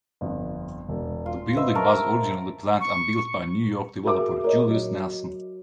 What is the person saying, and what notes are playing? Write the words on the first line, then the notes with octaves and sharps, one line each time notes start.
The building was originally planned and built by New York developer, Julius Nelson.
G1 F2
E1
F4
B4 C5 D#5 E5
A#4 A5 C#6 F6
C#6
F#4 G#4 A#4 E5 D6
A#4 C#5 D#5
F#3